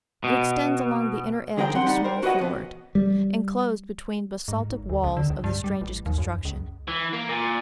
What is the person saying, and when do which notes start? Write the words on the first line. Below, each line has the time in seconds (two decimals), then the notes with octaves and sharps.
It extends along the inner edge of a small fiord, inclosed between basaltic walls of the strangest construction.
0.24 B2
1.57 E2 D3 G#4 A#4 E5 G5
1.73 C3 F#3 C4 F#5 C6
1.86 G3 D#4 F#5
2.04 A#4 C5
2.23 F#4 B4 C#5 D#5 F#5
2.39 F2 B2
2.95 G3
4.48 G#2
4.70 G#1
4.89 D2
5.04 C#2
5.17 D3
5.30 C#2
5.44 G2
5.64 G3
5.81 A1
6.06 D#2
6.18 F#2
6.45 C#2
6.88 E3
7.13 A#3
7.29 A#2